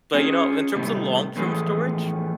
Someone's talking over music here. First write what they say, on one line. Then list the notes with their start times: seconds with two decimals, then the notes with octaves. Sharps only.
But, you know, in terms of long-term storage,
0.14 C#4 F4 G#4 C#5
0.75 A2 C3 D#3 G3 A3 B3
1.37 A2 E3 F3 A3 B3 G#4